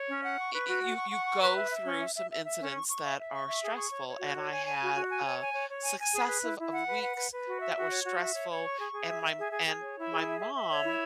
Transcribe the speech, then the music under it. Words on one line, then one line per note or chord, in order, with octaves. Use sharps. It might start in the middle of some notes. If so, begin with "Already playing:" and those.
y y you you go through some incidents that are stressful, and I had a successive of weeks that were stressful, and my and my mom
Already playing: C#5
C#4
F#5
C#6
B4
F#4
F#5
C#6
F#5
C#6
B4
E5
E5
C#4
E5
E5
E5
E5
C#4
C#6
C#6
E5
E5
C#6
E5
G#4
C#6
C#5
C#5
F#4
C#5
G#5
G#5
F#4
F#4
G#5
C#5
G#5
C#5
C#5
G#5
G#5
G#4
B4
E4
E4
F#5
B4
F#5
B4
B4
F#4
E5
F#4
C#5
F#4
E5
C#5
C#5
C#6
G#4
G#4
E5
E5
G#4
G#4
G#4
C#5
E4
G#4
E5
E5
E5
C#5
E4